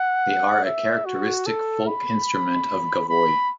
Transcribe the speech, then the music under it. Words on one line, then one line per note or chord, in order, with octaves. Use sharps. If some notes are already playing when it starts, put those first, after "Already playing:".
They are a characteristic folk instrument of Gavoi.
Already playing: F#5
E5
F#4
A4
B5
B5